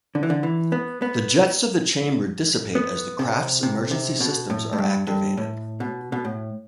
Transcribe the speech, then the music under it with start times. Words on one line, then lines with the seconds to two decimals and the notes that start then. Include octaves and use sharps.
The jets of the chamber dissipate as the craft's emergency systems are activated.
0.15 D3
0.23 E3
0.30 D3
0.43 E3
0.72 B3
1.02 B3
2.75 B3
3.19 C3
3.63 C3
3.91 C3
4.20 B2
4.50 A2
4.73 A2
4.78 G2
5.07 G2
5.37 A2
5.80 B2
6.12 B2
6.25 A2